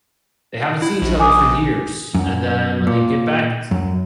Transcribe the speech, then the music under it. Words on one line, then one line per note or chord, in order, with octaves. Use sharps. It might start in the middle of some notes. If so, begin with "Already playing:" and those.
they haven't seen each other for years, and then when they get back t
E4
A#1
G#5 D6 D#6
F#2
A#2
F#2